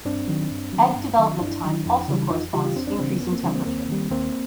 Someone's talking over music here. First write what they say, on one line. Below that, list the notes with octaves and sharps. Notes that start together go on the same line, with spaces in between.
Egg development time also corresponds to increasing temperature.
G2 C4 D4
D#3 F#3
G2
D#3 F#3
G2
D#3 F#3
G2 D4 E4
D#3 F#3
F2
C#3 E3 G3
F2 D#4 F4
C#3 E3 G3 F4 G4
F4 G4
F2 C4 D4
C4 D4
C#3 E3 G3 C4 D4
B3 C#4
F2 B3
A#3 C4
C#3 E3 G3 C4 D4
A#3 C4
D#2 A#3 C4
D#3 G3
D#2 A#3 C4